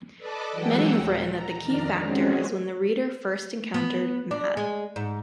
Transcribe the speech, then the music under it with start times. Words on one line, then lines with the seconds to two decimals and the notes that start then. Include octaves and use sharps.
Many have written that the key factor is when the reader first encountered "Mad".
0.18 A4 B4 D5 D#5 A5 D6
0.52 E3 F#3 G#3 F#5 G5 E6
0.96 D#2 A#2
1.29 A#5
1.63 F2 D#3 D4 D5 A#5 F6
1.96 G#3 C4 C#4 F#4 G#4
3.74 B3
4.31 D4
4.57 G#3
4.96 G#2